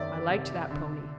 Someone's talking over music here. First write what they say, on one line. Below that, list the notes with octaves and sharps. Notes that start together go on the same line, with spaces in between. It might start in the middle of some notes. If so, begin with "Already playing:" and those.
I liked that pony.
Already playing: F#1 E2 D#3 D5 E5
C3
D3